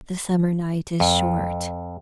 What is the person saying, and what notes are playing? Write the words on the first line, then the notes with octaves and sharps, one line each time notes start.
The summer night is short.
F2